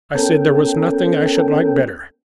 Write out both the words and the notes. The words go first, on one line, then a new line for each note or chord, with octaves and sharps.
I said there was nothing I should like better.
B3 C#4 A4 A#4 G5